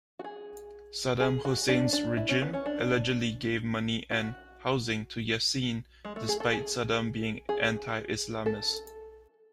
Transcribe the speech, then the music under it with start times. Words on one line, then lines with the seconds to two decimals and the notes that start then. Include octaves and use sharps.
Saddam Hussein's regime allegedly gave money and housing to Yasin, despite Saddam being anti-Islamist.
0.19 F#4
0.24 G#4
1.20 G#4
1.45 F#4
1.69 D4
1.93 D4
2.17 E4
2.29 C#4
2.42 B3
2.53 C#4
2.66 D4
4.11 F#4
6.05 G#3
6.16 A3
6.29 G#4
6.40 A4
6.52 G#4
7.49 G#4
8.46 A4